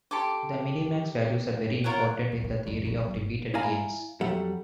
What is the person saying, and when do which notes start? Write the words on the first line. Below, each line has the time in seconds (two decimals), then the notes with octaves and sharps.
The minimax values are very important in the theory of repeated games.
0.11 G4 A4 C6 D6
1.84 F4 A#4 C#5 F#5
2.32 D1
2.44 A2 D#3
2.66 F#2 G3
2.85 F1 A2
3.00 F#3
3.14 G1
3.54 E4 D5 F5 G#5 A#5
4.21 F2 F#3 G3 A4 E5 F#5